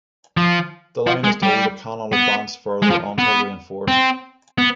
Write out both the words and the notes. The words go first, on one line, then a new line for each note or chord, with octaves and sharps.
The line is told it cannot advance further until reinforced.
F3
F3
G#3
G3
B3
G#3
F3
B3
C4
B3